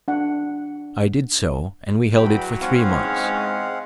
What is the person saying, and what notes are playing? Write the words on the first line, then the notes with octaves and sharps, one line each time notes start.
I did so, and we held it for three months.
D4 F#5
E2 F#3 G5 B5
E2 G#2 C4 C#4 F5 F#5
G#3